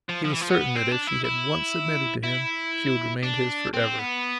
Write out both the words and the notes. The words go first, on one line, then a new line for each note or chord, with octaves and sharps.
He was certain that if she had once submitted to him she would remain his for ever.
F3
F3
E3
F3
B3
C4
D4
E4
E4
E4
D4
C4
B3